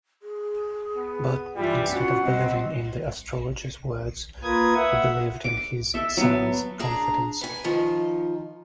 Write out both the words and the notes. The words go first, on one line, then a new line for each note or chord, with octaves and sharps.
But, instead of believing in the astrologer's words, he believed in his son's confidence.
G#4
B3
G2 E3 G3 F4
C#4 F4 F#4 F#5
G3 C4 D#5
A#3 F4 A#4 B4 D#6 G#6
E5 F#5
D6
A4 E5
F#3 B3
D4 G#4 A#5
B4 G#5
D#3 F3